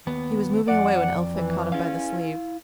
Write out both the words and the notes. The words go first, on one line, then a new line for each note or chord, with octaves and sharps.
He was moving away when Elphick caught him by the sleeve.
D#2 B3
F2 D5 F#5
E3
E2 C#4 E4 F5